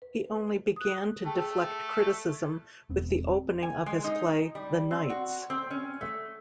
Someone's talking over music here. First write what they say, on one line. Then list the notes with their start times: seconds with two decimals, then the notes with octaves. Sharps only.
He only began to deflect criticism with the opening of his play, "The Knights".
0.02 B4
0.76 D#6 F#6
1.25 A3 G#4 G5 A5
2.89 E1 B3 C4
3.63 G#5
3.86 G#3
4.04 D#4
4.55 G3
4.91 C4
5.10 F#4
5.50 C4
5.71 C#4
6.01 A3